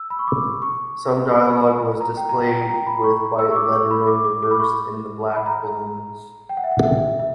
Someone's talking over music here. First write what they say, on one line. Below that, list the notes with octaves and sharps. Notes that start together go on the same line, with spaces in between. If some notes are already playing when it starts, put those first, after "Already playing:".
Some dialogue was displayed with white lettering reversed into black balloons.
Already playing: E6
B5
C#6
D6
C#6
B5
A#5
G5
A#5
G5
G5
A#5
B5
C#6
E6
C#6
D6
C#6
B5
D6
D6
D6
B5
C#6
B5
A#5
G5
F#5
E5
F#5
E5
E5